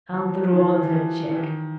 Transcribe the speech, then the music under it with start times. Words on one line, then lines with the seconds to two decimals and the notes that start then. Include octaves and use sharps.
"I'll draw the cheque."
0.14 F3
0.29 F#3
0.44 F3
0.53 E3
0.59 F3
0.75 E3
0.83 F3
0.91 E3
1.31 E3
1.36 D#3